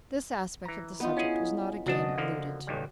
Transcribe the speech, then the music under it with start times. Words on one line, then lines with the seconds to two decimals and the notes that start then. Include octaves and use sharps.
This aspect of the subject was not again alluded to.
0.65 E3 A#5
1.00 B3 D#4 F4
1.17 C#4 E4 G#4
1.86 B1 C#3 D4 F#4 D#5 A5
2.18 D3 F3 A#3
2.67 A1 D#2 G3